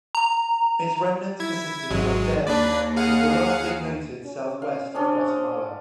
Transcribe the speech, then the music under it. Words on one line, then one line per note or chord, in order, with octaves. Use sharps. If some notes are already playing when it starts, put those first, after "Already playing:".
Its remnants persisted another day before last being noted southwest of Guatemala.
A#5
E4 G#6
G#1 F#3 G#3
D#2 A#3 D4 B4 D5
G#4 F5 F#5
C#4
F5
C#4 D4 G#4 C5